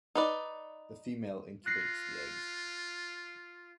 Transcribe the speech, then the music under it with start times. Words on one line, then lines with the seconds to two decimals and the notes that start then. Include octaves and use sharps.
The female incubates the eggs.
0.15 D#4 B4 D5
1.66 F4 F#6 A#6 C7